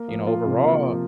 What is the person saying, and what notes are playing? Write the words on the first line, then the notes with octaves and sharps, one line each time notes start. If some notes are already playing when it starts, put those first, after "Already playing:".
you know, overall
Already playing: A#3
F3
F4
C3
A#3
F3